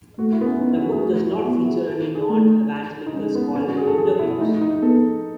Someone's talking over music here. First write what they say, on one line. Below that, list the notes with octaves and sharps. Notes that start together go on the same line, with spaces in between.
The book does not feature any non-evangelical scholarly interviews.
A3 F#4
E4
B3
C#4
B3 D#4
E4
F#4
G#4
A3 F#4
E4
F#4
F#4
B3 E4
F#4
G#4
A4
G#4
A3
D#4
G#3 C#4
B3
C#4
F#4
G#4
A4
G#4
E4
A3 D#4
D#4
B3 A4